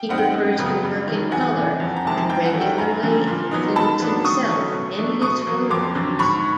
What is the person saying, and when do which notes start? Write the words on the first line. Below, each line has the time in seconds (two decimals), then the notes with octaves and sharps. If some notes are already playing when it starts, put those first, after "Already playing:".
He prefers to work in color, and regularly includes himself in his photographs.
Already playing: G5
0.09 G3 C4 D#4 F#5
0.18 G5
0.34 F#2
0.58 C#3 F#3 B3
0.83 G2
1.07 D#3 F#3
1.31 E2 F#5 G#5
1.56 C3 E3
1.80 F2
1.96 A#5
2.05 C3 D#3 G#3 C4 A5
2.18 G#5
2.30 G2 G5
2.45 F#5
2.53 D#3 F#3 A3 C#4
2.61 G5
2.78 G2 G#5 A#5
3.03 D3 F3
3.27 A#2
3.51 F#3 B3 D#4
3.76 D#3 A5 B5
4.00 F#3 B3 D4
4.24 D3 C#6 D#6
4.49 F#3 A3 C#4
4.73 B2
4.98 F#3 A3 D4
5.21 B2 C#6 D#6
5.47 F#3 A#3
5.70 F2 C6 D6
5.95 D3 F#3
6.19 G#2 B5 C#6